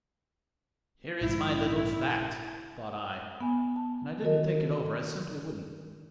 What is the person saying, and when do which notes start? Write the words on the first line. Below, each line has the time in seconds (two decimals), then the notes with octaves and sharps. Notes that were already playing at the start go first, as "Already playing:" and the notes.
'Here is my little fact,' thought I, and I didn't think it over, I simply wouldn't.
1.21 A#1 G#2 E4
3.41 B3 G#5
3.76 A5
4.23 D#3 F#4 A#4 D#5